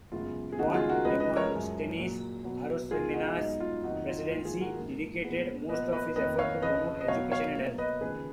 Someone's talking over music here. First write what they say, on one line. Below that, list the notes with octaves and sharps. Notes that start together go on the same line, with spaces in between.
Juan Demostenes Arosemena's Presidency dedicated most of his efforts to promote education and health.
F#2 C#3 G#3 B3 F4
G#4
D#2 C#3 G#3 B3 D#4 F#4
F4 G#4
F#4 A#4
C#2 C#3 F3 G#3 B4 D#5
B4 D#5
A#4 C#5
F#2 F3 G#3
A#2 F#3 A#3
B2 F#3 B3
C#2 B2 G#3 F4 G#4
D#4 F#4
G#2 F#3 B3 D#4
F4
F2 D#3 F#3 A#3 D#4 F#4
F4
D#4
G#2 D#3 A#3 F4
F4 G#4
F#4 A#4
G#2 F3 A#3
A#2 G#3 B3
A#2 F3 B3 B4 D#5
B4 D#5
F2 D#3 A#3 B4 D#5
C#5 F5
F2 C#3 F3 B4 D#5
D#5
B2 F#3 B3 C#5 F5
C#5 F5
B2 A#3
B4 D#5
D#2 C#3 F3 G#4 B4